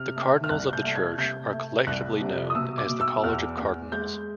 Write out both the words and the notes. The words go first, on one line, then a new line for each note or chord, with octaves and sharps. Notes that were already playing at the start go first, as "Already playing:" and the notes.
The cardinals of the Church are collectively known as the College of Cardinals.
Already playing: C3 F6
A3
F6
C2 F#6
G6
A3
G#6
C3 G6
A3
C2 F#6
C3
D#6
B2 E6
D6
B2
E6
E2 F6
E2
G#3 G6